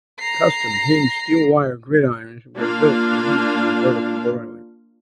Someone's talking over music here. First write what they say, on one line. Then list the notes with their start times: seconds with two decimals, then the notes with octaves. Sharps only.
Custom hinged steel wire gridirons were built for use in the vertical broilers.
0.20 A#5 C7
2.56 A#3 D4 F4 F5